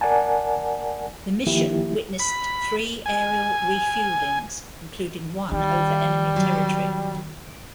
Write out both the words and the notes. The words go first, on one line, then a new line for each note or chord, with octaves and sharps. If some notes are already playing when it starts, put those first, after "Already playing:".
The mission witnessed three aerial refuelings, including one over enemy territory.
A#4 D5 F#5 G#5 A5
D#3 F3 A#3 E4 G4
B5
G#5
D#3 G3
F#3